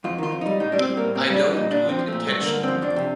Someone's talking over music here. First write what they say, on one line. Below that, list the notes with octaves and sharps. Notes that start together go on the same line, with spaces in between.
I don't do it intentionally.
F2 F4
D#3 F4
F2
G3 D#4
A2 D#4
G3 D4
C4
G3
A2 A#3
A#2 C4
G3 D4
G3
A#2 D#4
A#2 D4
F3 C4
F3
A#2 A3
G2 A3
D3 A#3
G2
F3 C4
F2 D4
C3